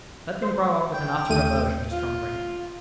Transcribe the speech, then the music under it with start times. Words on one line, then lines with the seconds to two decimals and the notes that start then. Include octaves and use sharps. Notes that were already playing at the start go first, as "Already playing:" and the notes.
Let them grow up with an utter aversion to strong drink.
0.42 C5
0.94 G5
1.29 D#2 A3 D#7
1.92 F4